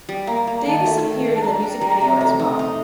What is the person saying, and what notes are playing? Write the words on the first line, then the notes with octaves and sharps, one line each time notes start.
Davis appeared in the music video as well.
G3
A#3 A#5
A#3
D#3 A5
A3
D#3
D4
A5
D4 A#5
G3
G3
C3
A3
D#4
D#4